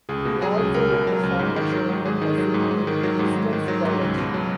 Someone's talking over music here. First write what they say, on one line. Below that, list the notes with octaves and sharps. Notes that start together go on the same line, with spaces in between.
He also wrote the former shareware puzzle game "System's Twilight".
C#2 G#4
B2
F#3 G#4
C#2
C#2 A#4
B2
F#3
C#2
G#2
D#3
F#3
G#2
G#2 G#4
D#3
F#3
G#2
G#2
D#3
F#3
G#2
G#2
D#3
F#3
G#2
C#2
B2
F#3